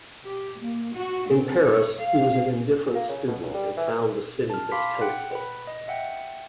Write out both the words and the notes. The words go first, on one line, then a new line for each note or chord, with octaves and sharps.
In Paris, he was an indifferent student and found the city distasteful.
G4
A#3
F#4
C4
C#5
F5
A#3
C#3
B2
C#2
G3
E3
A5 F6
F5 B5 C6 D6 B6
F#5 G5 F#6
B4 B5
D#5
E5 F#5 G5